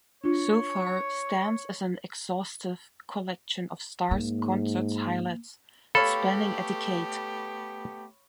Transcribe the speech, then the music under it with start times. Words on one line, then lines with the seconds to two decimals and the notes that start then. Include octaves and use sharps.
So Far stands as an exhaustive collection of Starr's concert highlights spanning a decade.
0.24 D4 F4 C#5
4.11 G#2 A#3
5.95 A3 B3 G4 A4 C#5 F5 B5